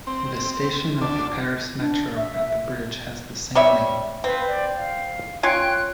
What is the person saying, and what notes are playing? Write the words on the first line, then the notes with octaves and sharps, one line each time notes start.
The station of the Paris Metro at the bridge has the same name.
C4
D2 D4
D4
E5
G3 C#5 E5
C4 B4 F5 C6
D5
F5
C#4 F4 C#5 G5 C6 F#6